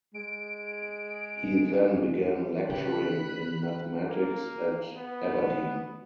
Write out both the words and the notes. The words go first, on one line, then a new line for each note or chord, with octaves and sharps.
He then began lecturing in mathematics at Aberdeen.
G#3 D7
C#3 G4 B4 B5 F#6
A#3
B3